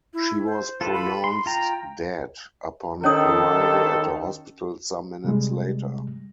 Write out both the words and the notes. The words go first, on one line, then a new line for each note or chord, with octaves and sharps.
She was pronounced dead upon arrival at a hospital some minutes later.
E4
C5
F4 A4 B4
B5
C6
F4 G5 A#5
D#3 C#4 A4 C#5 D#6
C3 G3 G#3